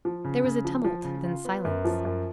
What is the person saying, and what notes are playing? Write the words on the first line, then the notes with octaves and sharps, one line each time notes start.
There was a tumult, then silence.
F3
C#3
C#3
F3
F3
C#3
F4
B3
F#2
F3
F#2